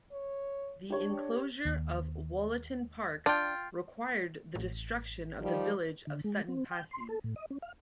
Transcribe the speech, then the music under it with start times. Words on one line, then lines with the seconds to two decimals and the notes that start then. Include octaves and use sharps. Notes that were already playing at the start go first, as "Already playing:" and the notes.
The enclosure of Wollaton Park required the destruction of the village of Sutton Passeys.
0.12 C#5
0.90 D4 G4 C#5
1.65 D#2
3.26 D4 F4 G5
4.55 A1
5.41 D#3 F3 G3
6.07 D3
6.24 G#3
6.49 C4
6.71 G5
6.91 C6
7.09 A4
7.24 A2
7.36 D#5
7.50 C#4
7.62 F5